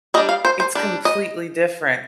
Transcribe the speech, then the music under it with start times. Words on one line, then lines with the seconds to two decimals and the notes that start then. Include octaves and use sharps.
it's completely different
0.14 G3 D#5
0.18 D4
0.29 F5
0.45 C5
0.60 C5
0.75 G3 D4
1.05 D#5